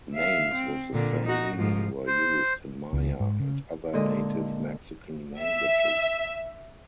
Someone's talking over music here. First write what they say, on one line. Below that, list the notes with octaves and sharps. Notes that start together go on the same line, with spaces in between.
Names with the same meaning were used in Maya and other native Mexican languages.
E5 F5
C4
A#2 D3
D#4 F#4
G#2 F3
C5
C#2
G#2
C#3
A#2 D3 G#3 A4 D#5
E5